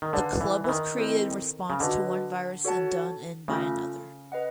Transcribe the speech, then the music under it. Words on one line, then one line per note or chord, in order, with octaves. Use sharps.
The club was created in response to one virus and done in by another.
D#3
D3 G#4 B4 D5 F5 A5
E3
E3
D#3
C4 E4 A4 C5 D#5
C#3
D3 F#4 B4 D#5
F#4 A4 C#5 F#5 A5
C#3 A3 C#4 F4 A4
B4 D#5 F#5